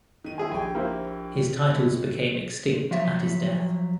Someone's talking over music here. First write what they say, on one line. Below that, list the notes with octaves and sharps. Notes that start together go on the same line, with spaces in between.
His titles became extinct at his death.
D#3 D#7
E4 G#4 G#5
A#1 G4 G5 G#5
A#3 E4 C5
G#1
F3 F#3 E5